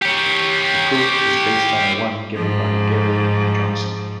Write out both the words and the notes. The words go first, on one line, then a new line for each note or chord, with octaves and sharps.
This proof is based on the one given by Garey and Johnson.
G4 C#5
G#2 F3